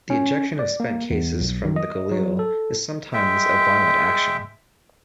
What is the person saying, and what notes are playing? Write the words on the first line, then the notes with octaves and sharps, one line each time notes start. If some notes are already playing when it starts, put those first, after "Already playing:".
The ejection of spent cases from the Galil is sometimes a violent action.
C#4
D5
A#3
E2
B1
D#3
D#5
F#3
A4
G#3 E5 G5